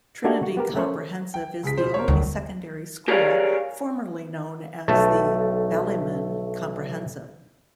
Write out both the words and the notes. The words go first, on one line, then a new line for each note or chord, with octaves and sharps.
Trinity Comprehensive is the only secondary school formerly known as the Ballymun Comprehensive.
A3 D4 D#4 F#4 G4
F#4
B3 G4 A#4
A3 C#4 A#4 C5 C#5
G5
C#2 G#4 B6
B2 F3 C5
A#4 C5 C#5
D#1 D2 D#3
G4 G#4 A#4 C#5 D5 F5
B1 A3 A5